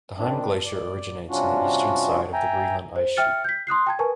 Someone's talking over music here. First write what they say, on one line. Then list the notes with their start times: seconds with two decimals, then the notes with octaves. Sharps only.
The Heim Glacier originates in the Eastern side of the Greenland Ice Sheet.
0.18 D#3 C4 D4
0.66 D5
1.30 C3 G3 C#4 D4 F4 F#4
2.33 E5 G5 G#5 A#5
2.96 C5
3.16 E5 G5 F6 A6 C#7
3.44 G6 B6
3.67 C6 D#6 F#6 C7
3.87 G5 A5 G#6
3.99 A#4 B4 G#5 A5 C#6